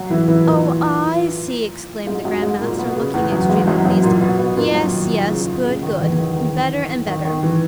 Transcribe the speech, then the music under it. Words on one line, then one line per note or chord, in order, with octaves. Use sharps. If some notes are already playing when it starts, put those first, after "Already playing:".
'Oh, I see,' exclaimed the Grand Master, looking extremely pleased; 'yes, yes--good, good--better and better.
Already playing: F#3 F#4
E3 E4
E3 E4
A#2 A#3
G#2 G#3
F#2 F#3
G#2 G#3
A#2 A#3
B2 B3
C#3
E2 E3
F#2 F#3
G#2 G#3
F#2 F#3
F#2 F#3
A#2 A#3
B2 B3
B2 B3
A#2 A#3
F#2 F#3
D#3
C#3
C#3
D#3
E2 E3
D#3
D#3
D#3
D#3
E3